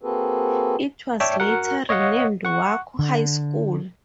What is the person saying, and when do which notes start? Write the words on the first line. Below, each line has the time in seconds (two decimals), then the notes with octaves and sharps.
It was later renamed Waco High School.
0.03 A#3 C4 F#4 G#4 A4 B4
1.20 C#5 D5 E5 G5 A5
1.40 F#4 A#4 F#5
1.89 C#5 D#5 F5 F#5
2.45 F#5 C#6
2.99 D3